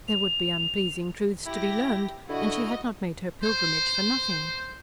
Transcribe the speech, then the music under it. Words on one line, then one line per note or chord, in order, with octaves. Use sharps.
There would be unpleasing truths to be learned, and she had not made her pilgrimage for nothing.
F7
E4 G4 A#6
D3 E4 F#4 D#5
C5